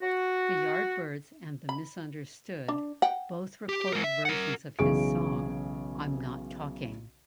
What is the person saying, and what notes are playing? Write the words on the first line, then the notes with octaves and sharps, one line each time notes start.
The Yardbirds and the Misunderstood both recorded versions of his song "I'm Not Talking".
F#4
B5
D4
F#5 G5
G4
G#3 A#4
E5
A#4 F#5
B1 C#3 E3 G#4 C#6 D7